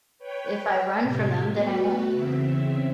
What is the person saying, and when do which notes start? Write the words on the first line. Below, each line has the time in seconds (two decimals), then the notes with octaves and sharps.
if I run from them, then I won't
0.19 B4 C#5 G5
1.01 A2 C3 G4 G#6
1.50 A3 B3 F#4 B4
2.11 E2 C#3 C4 E5